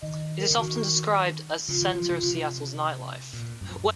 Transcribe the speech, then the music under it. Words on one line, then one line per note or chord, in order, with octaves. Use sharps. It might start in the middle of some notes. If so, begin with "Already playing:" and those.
It is often described as the center of Seattle's nightlife.
D#3 D#5
A#4
C#3
D#3 F#4
C#3 F4
D#3
F3
C#3
C3
A#2
F#2